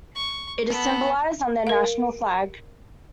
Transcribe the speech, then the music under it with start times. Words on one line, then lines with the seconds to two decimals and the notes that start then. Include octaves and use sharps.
It is symbolised on their national flag.
0.15 C#6
0.68 B3 A4
1.67 A#4 F5